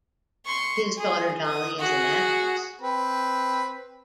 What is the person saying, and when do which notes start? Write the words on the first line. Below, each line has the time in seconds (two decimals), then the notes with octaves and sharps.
His daughter Dolly is an actress.
0.46 C6 C#6
0.98 G#4
1.46 D#6
1.79 F#4 G#4
2.82 C4 B4